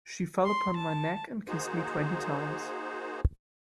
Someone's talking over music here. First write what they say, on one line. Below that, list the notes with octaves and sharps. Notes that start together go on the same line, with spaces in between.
She fell upon my neck and kissed me twenty times.
C6
A5
A#3 D#4 F#4 G#4 C5